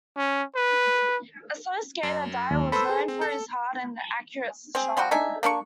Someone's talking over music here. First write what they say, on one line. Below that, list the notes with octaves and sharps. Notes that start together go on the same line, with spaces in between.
A slow skater, Dye was known for his hard and accurate shot.
C#4
B4
F#2
D#2
A4 B4 C5 B5 E6
G#4
C4
A4
C4 G#4
F3 G3 C4 F#4
D4 D#4 E5 G#5
A#3 D4 E5 C#6